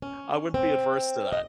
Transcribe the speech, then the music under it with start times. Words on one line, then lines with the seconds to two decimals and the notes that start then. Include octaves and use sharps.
I wouldn't be adverse to that.
0.02 C#4
0.54 C4
1.32 D#5